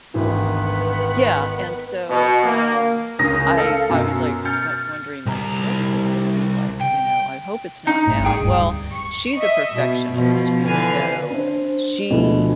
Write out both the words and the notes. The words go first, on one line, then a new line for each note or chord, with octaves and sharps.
yeah, and so, um, I I was like won wondering, like, what is this gonna be, like, you know, I hope it's not bad, well, she's a perfectionist, and so she
G#1 D2 D#3 E3 B3
B2
A#3
C#2 C#4 A#4 D#6 A#6
A4 F5 C#7
F#2 B2
F6 G6 A6 C#7
C2 A#5
G5
D#4
G1 A2
G#4 G5
D1 G2
C#6
D#5 E5
B2
B2 F3
D3 E3 B4 F5 G#5
D4 C5
D2 B2 F3 D4 E4 B4